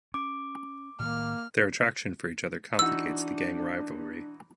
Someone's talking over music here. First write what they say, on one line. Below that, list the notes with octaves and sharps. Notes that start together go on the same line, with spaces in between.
Their attraction for each other complicates the gang rivalry.
C#4 D6
A2 D#3 A#3 F6
E3 D4 D#4 F#4 E6